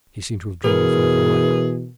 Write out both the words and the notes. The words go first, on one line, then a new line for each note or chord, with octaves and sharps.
He seemed to have drawn further away.
B2 E3 G#4 A#4 B4